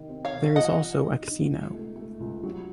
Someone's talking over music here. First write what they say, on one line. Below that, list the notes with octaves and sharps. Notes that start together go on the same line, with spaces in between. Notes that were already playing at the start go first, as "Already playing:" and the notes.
There is also a casino.
Already playing: C3 D#3
C4
C#5 F5
C3
F3 D#5 F#5
F3
D#4
D#4
C#2
A3
A3
C#2
F#3